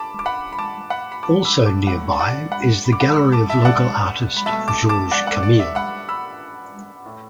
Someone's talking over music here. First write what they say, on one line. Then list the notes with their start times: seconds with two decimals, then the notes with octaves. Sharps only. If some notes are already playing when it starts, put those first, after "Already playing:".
Also nearby is the gallery of local artist Georges Camille.
Already playing: A5 B5 D6
0.19 D6
0.26 F#5 B5
0.52 B5
0.58 A5 D6
0.90 F#5 B5
1.12 B5
1.23 A5 D6
1.45 B5 E6
1.66 A5 D6
1.87 A2 A3 F#5 B5
2.12 A5
2.20 D5 F#5
2.52 F#5 B5
2.85 B5
2.93 D6
3.00 F#5 B5
3.16 B5 E6
3.32 A5 D6
3.50 E5 A5
3.61 A5
3.65 D5 F#5
4.37 B5
4.46 B2 A3 E5 A5
4.68 A5 D6
4.89 A5 D6
5.11 D5 F#5
5.27 D5 F#5
5.43 D5
5.60 E5
5.75 F#5 B5
6.09 B5 E6
7.06 A2 A3